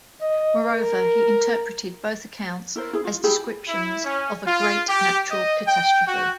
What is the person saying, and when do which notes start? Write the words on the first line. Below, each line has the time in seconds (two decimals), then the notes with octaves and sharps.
Moreover, he interpreted both accounts as descriptions of a great natural catastrophe.
0.21 D#5
0.66 A#4
2.76 E4 A#4 C5
2.93 E4 G#4
3.05 F4
3.24 E4 G4 G#4 B5
3.67 E4
4.05 C#4
4.46 F4
4.89 G4
5.30 D#5
5.67 G5
6.07 F#4